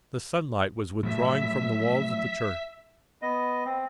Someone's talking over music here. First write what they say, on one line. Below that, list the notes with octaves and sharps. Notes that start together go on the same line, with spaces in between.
The sunlight was withdrawing from the walls of the church.
A2 F3 F#3 E5 B6
B3 D#5
C4